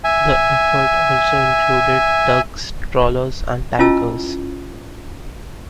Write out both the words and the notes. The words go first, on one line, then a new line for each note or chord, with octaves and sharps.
The effort also included tugs, trawlers, and tankers.
E5 G#5
C#4 E4 F4 D#5 A5 E6